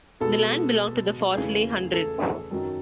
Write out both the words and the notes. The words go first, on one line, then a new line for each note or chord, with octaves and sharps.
The land belonged to the Fawsley Hundred.
B2 G#3 B3 A4
E2 C#3 E3 A3 G#4
A4
F#2 D#3 F#3